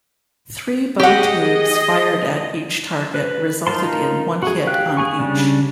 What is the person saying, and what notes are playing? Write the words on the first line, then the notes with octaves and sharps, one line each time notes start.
Three bow tubes fired at each target resulted in one hit on each.
G4 G#4 D#5 F#5
B4
D#4 F4 A#4 A5 C6
F#4 G#4
G4 F5 G5 F#6
G#4 G#5 C#6
C#3 G3 D4